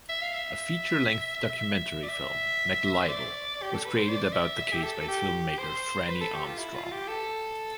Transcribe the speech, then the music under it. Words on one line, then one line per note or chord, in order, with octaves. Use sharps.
A feature-length documentary film, "McLibel", was created about the case by filmmaker Franny Armstrong.
E5
F5
E5
E5
D5
E5
C5
D5
G4
A4
B4
C5
D5
E5
E5
G4
A4
A4
G4
C5
B4
A4
G4
F4
E4
F4
F4
G4
A4